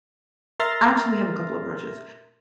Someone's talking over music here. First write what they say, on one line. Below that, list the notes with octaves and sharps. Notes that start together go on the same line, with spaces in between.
I actually have a couple of approaches.
A#4 E5 C6 F6 A6 A#6